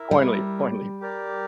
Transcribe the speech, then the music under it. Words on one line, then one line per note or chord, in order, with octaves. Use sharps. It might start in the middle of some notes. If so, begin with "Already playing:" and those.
Corn leaf corn leaf.
Already playing: E4 A#4 E5
G3
G4 A#4 D5